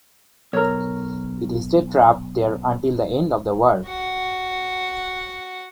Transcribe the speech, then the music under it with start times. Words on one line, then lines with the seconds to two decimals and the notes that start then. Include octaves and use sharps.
It stayed trapped there until the end of the war.
0.53 B1 A#4 C#5
3.87 F#4 F#5